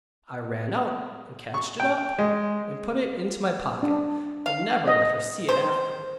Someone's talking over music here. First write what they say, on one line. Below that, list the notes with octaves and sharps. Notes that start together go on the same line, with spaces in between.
I ran out and catched it up, and put it into my pocket, and never let her see it afterward.
C#6
G5
G#3
D4
F5
D#5
C5